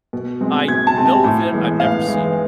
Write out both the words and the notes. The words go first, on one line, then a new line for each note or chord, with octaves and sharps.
I know of it. I've never seen it.
B2
G#3 C4
B2 G#6
A5
G#3 C4
G#5
A2
E3 G#3 B3
A2 F5
E3 G#3 B3